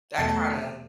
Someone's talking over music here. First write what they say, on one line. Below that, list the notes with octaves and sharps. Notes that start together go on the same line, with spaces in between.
that kinda
E2 B2 A3 A5